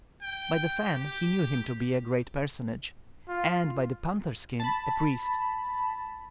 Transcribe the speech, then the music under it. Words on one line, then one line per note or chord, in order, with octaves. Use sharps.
By the fan he knew him to be a great personage, and by the panther skin, a priest.
G5
G4
F4
A5 B5